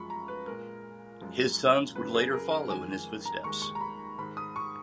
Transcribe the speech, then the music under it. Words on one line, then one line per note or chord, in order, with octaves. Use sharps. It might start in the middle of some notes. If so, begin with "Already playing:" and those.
His sons would later follow in his footsteps.
Already playing: F#2 F3 G#3 B5 C#6
A#5
B4
A#2 G#3 A#4
F#2 F3 G#3
F#2 C#3 F#3 B4
G#4
A#4
A#4
F2 D#3 G#3 G#5
A#5
D#2 D#3 G#3 C#6
C#6
A#5
B5
G#2 D#3 G#3 B5
D#6
C#6